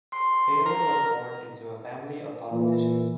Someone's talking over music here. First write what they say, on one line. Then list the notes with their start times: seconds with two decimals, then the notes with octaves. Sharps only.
Taylor was born into a family of politicians .
0.12 C6
0.66 A#4
2.52 A#2 E3